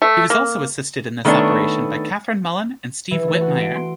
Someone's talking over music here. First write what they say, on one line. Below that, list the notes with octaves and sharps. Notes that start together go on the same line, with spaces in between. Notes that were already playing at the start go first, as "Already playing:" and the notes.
He was also assisted in this operation by Kathryn Mullen and Steve Whitmire.
A3
A#3
D#3 A3 B3 D4 C#5
E3
A3
F#4
D7
C6